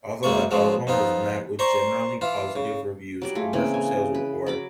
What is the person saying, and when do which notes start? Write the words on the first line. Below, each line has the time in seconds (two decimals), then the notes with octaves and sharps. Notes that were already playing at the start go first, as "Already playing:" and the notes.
Although the album was met with generally positive reviews, commercial sales were poor.
0.23 F#2 E3 G#3 A#3 D5 C#6
0.51 C#3 F3 F#3 G#3 B3
0.87 F2 B3 D#4 F4
1.59 C5 D5 A#5 C6 C#6
2.21 E3 F4
2.56 C#3
3.22 F#3 G3 D5
3.35 A3 F4 G#4
3.53 C#3 E3 A#3 C4
3.74 G#5
4.14 B4
4.47 F#3 B5 D6